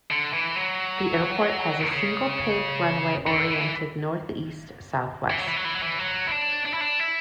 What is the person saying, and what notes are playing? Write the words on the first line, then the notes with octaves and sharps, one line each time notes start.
The airport has a single, paved runway oriented northeast-southwest.
D3
E3
F#3
C#3
D3
E3
E3
F#3
E3
F#3
E3
F#3
E3
F#3
E4
D4
D4
E4
D4
E4